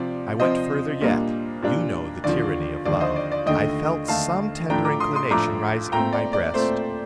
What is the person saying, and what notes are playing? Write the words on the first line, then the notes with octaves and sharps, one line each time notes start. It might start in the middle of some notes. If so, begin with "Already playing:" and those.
I went further yet: you know the tyranny of love: I felt some tender inclination rising in my breast.
Already playing: C3 F3 C4 D5
C3 F3 C4 C5 D#5
A#2 G3 A#3 D4
A#2 G3 A#3 D4
D#2 D3 F3 D5
D#2 D3 F3 D5
C5 D#5
D5
D5
D#2 D3 A3 D#5 G5
D#2 D3 A3 F5 A5
A2 F3 A3 D4 G5 A#5
A#5 D6
C6 D#6
C6 D#6
A2 F3 A3 D4 A#5 D6
A#2 A3 C4 G5 A#5
D5
D5
A#2 A3 C4 C5